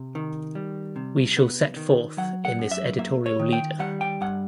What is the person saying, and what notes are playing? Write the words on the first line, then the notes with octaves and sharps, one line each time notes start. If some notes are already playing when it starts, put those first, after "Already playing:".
We shall set forth in this editorial leader.
Already playing: C3
D#3
G3
C3
B3
D#3
F#3 F#5
F#5
F#2
E5
A#3 E5
C#5
D#3
G5
G3 F#5
G5
G2 F#5